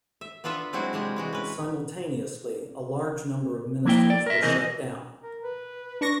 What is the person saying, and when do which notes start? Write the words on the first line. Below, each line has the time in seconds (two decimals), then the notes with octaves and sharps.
Simultaneously, a large number of ministries were shut down.
0.21 E5
0.44 B3 D4 F4 B4 E5
0.73 F#3 G#3 C4 E4 F#4
0.93 C3 G#3 D4 E4
1.16 E3 G#3 F#4
1.33 C#4 B4
3.85 F3 A#3 E4 G5
4.10 D5
4.26 A#4 E5
4.43 C2 B2 E3 C4 G#4 D#5
5.23 A#4
5.44 B4
6.01 D4 C#6 A#6